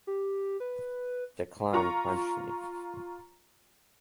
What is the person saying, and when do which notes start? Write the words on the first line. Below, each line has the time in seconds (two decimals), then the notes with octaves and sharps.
Declan punched me.
0.07 G4
0.60 B4
1.73 F4 A#5 C#6